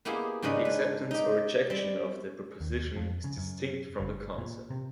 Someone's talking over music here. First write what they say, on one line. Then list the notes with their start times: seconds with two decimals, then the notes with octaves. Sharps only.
The acceptance or rejection of the proposition is distinct from the concept.
0.05 A#3 B3 E4 G4 G#4
0.42 G#2 C#3 C#4 D4 D#5 B5
0.65 B4
1.11 D#4 G4
1.70 G3 C4
2.61 D#2
2.96 F2
3.24 C#3
3.38 F#2
4.00 F#1
4.38 A#2
4.70 C3